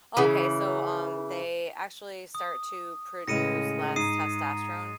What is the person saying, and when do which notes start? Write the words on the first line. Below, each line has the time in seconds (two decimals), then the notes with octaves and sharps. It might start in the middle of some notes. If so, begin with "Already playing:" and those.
Okay, so, um, they actually start to produce less testosterone
0.17 C#3 E3
2.35 D#6
3.28 A2 C#3 G#3 A#6 C#7 D#7
3.96 G#2 D#6 C7 D#7